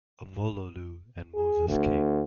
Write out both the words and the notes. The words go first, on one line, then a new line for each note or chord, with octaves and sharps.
Omololu and Moses King.
G#4
D2